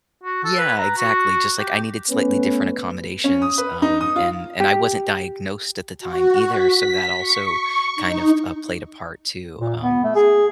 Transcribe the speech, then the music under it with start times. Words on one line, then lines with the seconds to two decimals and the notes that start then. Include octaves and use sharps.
Yeah, exactly. Just, like, I needed slightly different accommodations, um, and and I wasn't diagnosed at the time either. So that also kind of, uh, played a part too. Um,
0.24 F#4
0.44 A4
0.58 B4
0.79 A#5
0.97 F#4
1.58 G4
2.11 A3 B3 C#4 B4
3.24 C#4
3.42 D#6
3.58 B4
3.82 D#4
4.01 D#6
4.16 F4
4.60 G4
6.00 F#4
6.50 B6
7.17 C#6
7.95 D#4
9.59 A#2
9.83 B3
10.04 A3
10.15 G#4